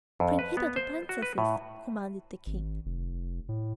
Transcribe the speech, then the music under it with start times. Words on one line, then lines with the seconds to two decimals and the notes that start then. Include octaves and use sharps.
"Bring hither the princesses," commanded the King.
0.20 F2
0.39 B4
0.57 B3
0.76 C5
1.09 F#4
1.22 B4
1.38 A2
2.46 G#1
2.86 F1
3.49 A2